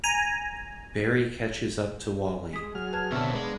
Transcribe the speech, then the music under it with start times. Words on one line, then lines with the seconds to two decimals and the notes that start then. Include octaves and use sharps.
Barry catches up to Wally.
0.04 G#5 A#5
2.53 G#3 D#6 B6
2.75 F#3 G#4 F6
2.93 B4 A5 G#6
3.12 B2 D3 C4 C#5 E5 A5 F6
3.34 G#3 A#3 B3 D4